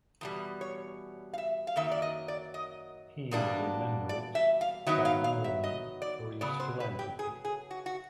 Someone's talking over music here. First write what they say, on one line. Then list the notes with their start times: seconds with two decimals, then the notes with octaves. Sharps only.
He is remembered primarily for his philanthropy.
0.21 E2 B2 G3
0.61 C#5
1.33 F5
1.38 E5
1.67 F5
1.76 F#2 D#3 F#3 A#3 E5
1.91 D5
2.02 D#5
2.28 D5
2.54 D#5
3.31 E2 B2 G3 A#3 D4
4.09 D5
4.35 E5
4.61 F5
4.87 D#3 F#3 B3 D#4 E5
5.05 F5
5.24 F5
5.44 E5
5.64 D#5
6.02 D5
6.41 C#3 F#3 B3 D5
6.60 C5
6.80 B4
6.99 G4
7.19 G#4
7.45 G#4
7.71 F#4
7.86 F#4